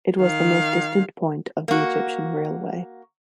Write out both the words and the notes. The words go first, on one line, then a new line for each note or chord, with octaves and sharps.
It was the most distant point of the Egyptian railway.
D#3 F5
A#3 F#4